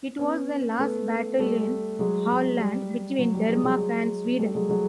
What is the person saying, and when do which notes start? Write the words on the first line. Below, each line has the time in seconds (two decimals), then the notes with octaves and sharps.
It was the last battle in Halland between Denmark and Sweden.
0.19 B3 C#4
0.79 A3 B3
1.39 G3 A3
1.99 F#3 G#3
2.59 G3
3.19 F#3
3.34 G3
3.49 F#3 G#3
3.64 F#3 G#3
4.39 G3 A3
4.55 F#3 G#3
4.69 F#3 G#3